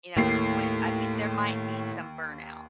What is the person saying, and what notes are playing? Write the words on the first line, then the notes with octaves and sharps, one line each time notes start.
you know, what I mean, there might be some burnout,
D#2 A2 C7